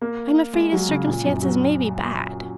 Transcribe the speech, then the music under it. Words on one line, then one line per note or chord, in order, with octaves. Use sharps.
I am afraid his circumstances may be bad.
A#3
G#3
F#3
C#3
A#2
F#2
F#3